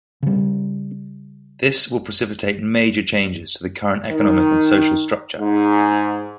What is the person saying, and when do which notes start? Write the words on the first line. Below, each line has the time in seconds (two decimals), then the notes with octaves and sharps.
This will precipitate major changes to the current economic and social structure.
0.23 C#3 G3
4.10 D#3
5.39 G#2